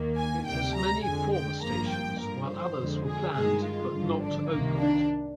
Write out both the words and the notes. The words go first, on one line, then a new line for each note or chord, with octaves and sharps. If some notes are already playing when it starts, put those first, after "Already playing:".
It has many former stations, while others were planned but not opened.
Already playing: D#2 D#3 A#3
G#5
D2 C3 G3 G5
A#5
F2 D3 G#3 G#5
G5
G#1 G2 F3 A#3 A#5
G5
G2 D3 F3 A#4
C5
F2 D3 G#3
G#4
G2 D#3 G#3 G#4
F4
G#1 G2 D3 F3
D4
C2 C3 D#3 A#3
D4